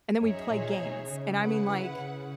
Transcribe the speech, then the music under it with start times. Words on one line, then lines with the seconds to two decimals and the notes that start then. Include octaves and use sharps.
and then we'd play games, and I mean, like,
0.20 F#2 D#4 G#4 C#5 E5
0.50 A#2
0.79 B2
1.08 C#3
1.38 E4 B4 F#5
1.97 C#3